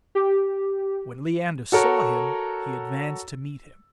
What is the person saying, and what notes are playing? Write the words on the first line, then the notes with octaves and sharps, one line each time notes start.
When Leander saw him, he advanced to meet him.
G4
F#4 A4 A#4 C#5